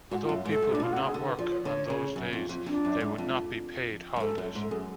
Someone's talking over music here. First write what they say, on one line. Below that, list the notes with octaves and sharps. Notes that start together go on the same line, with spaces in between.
Although people would not work on those days, they would not be "paid" holidays.
G#2 F#4
F4
F#2
G#2 A4
G#2
A2 D4
B2 F4
C#3 F#4
G#4
D3 A4
B4
F3 D5
C#5
D3 C#5
C#3
F#2
F2
F2
F2 D4
F#2
G#2
F2
F#2
G#2 A4
F#2
G#2
A4
F#2 G#4